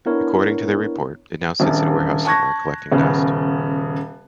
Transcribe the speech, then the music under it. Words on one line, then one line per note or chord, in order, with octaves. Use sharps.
According to their report, it now sits in a warehouse somewhere, collecting dust.
B3 D4 E4 A#4 C#5
D#1 A#1
A5 C#6 F#6 G#6 A#6
D#1 C#3 B3